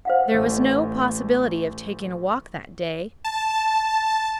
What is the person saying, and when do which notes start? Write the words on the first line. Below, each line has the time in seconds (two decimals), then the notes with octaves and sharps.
There was no possibility of taking a walk that day.
0.05 C5 F5 F#5
0.31 A1 A3
3.25 A5